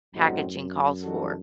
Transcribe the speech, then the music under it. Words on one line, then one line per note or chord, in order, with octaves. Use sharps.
packaging calls for.
F#2 A2 G3 C4 D#4 F#4
E3 G3 D#4 F#4 A4